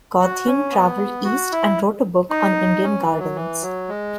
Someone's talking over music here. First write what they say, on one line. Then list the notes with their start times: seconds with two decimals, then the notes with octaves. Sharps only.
Gothein travelled east and wrote a book on Indian gardens.
0.20 F#4
0.46 C#4
0.72 B3
1.24 F#4
1.52 E4
2.30 D#4
2.83 C#4
3.01 E3
3.19 F#3
3.36 E3
3.62 F#3
3.89 G#3